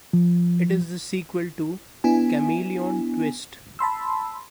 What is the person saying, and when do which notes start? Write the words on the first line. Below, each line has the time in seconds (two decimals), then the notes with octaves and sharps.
It is the sequel to "Chameleon Twist".
0.13 F3
2.04 B3 D4 E4 G#5
3.79 A5 B5 C6 E6